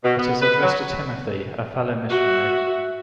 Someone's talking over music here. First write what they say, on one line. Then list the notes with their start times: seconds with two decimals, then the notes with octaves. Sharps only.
It is addressed to Timothy, a fellow missionary.
0.04 B2
0.18 B3
0.42 B4
0.62 F#3
2.10 F#4 E5